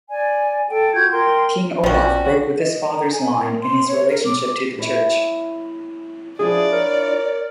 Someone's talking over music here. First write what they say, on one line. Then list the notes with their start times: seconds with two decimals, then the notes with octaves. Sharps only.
King Olaf broke with his father's line in his relationship to the church.
0.09 D5 G#5
0.68 A4 G5
0.94 F4 F#4 G6 G#6
1.11 A#4 G5 C6
1.84 A#1 F3 G3 C#4 F#4
2.60 D#5
2.91 A#5
3.12 G#5
3.40 A#4
3.61 C6
3.88 C#5
4.09 A#4
4.25 D6
4.79 E4 C#5 E5
6.39 F3 D4 E4 F4 G#4 D5
6.72 A#4 C#5